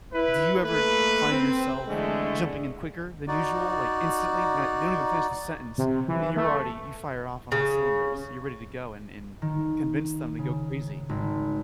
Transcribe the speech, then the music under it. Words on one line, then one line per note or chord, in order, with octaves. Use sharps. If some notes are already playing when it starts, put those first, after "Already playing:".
do you ever find yourself jumping in quicker than usual, like, instantly? Not they don't even finish the sentence, and you're already you fire off on all cylinders, you're ready to go and and convince them they go crazy.
E4 B4
A3 A#3 A4 B4
C4
D3 E3 G#3 A3
D#4 F#4 D5
C3
E3
A3
C#3
D#3
C#3
G#1